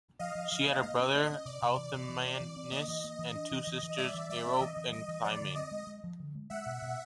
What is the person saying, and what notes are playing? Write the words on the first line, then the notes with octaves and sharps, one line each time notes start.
She had a brother Althaemenes, and two sisters Aerope and Clymene.
F3 D#5 F5
F3
F3 D#5 F5
A#3
A#3 D#5
C#4
A#3
C#4
C3 D5
C3
E3
C3
E3
C4
E3
C4
A#3 D#5
E3
A#3
E3
D4
E3
E3
E3
G3 D5 E5
E3
G3 D5 E5
C4
E3 D#5
E3
G3 D#5
E3
F3 D5
D3
C4 D#5
G#3
G#3
F3
D3
G#3
G#3 E5 F#5
B2
B2